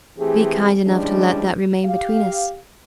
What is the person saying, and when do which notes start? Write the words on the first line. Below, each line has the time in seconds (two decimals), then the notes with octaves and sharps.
Be kind enough to let that remain between us.
0.19 E3 A3 C4 G4 G#4
0.84 E3 F3 G3 G#3 C#4 D4
1.85 G4 F5